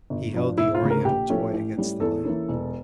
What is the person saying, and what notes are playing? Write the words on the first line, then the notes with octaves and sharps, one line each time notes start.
He held the oriental toy against the light.
G1
G2 F3
E1 E4
F4
D2 C#3
A#4
A#1 G4
A2 F3 A3 C#4
A1
A2 G3 C#4
E2 A4
E3 A#3 C#4
E1